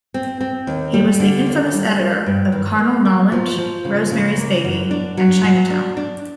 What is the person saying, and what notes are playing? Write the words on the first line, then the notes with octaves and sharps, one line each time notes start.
He was the infamous editor of "Carnal Knowledge," "Rosemary's Baby", and "Chinatown".
C4
C4
D#2
G3
D3
D#2
G3
A#3
G2
D#3
A#3
A#3
F3
F3
C#3
C#3
A#3
F#2
D4
F#3
F#3
D4
D4